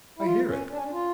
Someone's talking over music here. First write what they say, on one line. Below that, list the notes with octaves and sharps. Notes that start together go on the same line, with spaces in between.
I hear it.
E4
F4
C#4
D4
C#4
D4
F4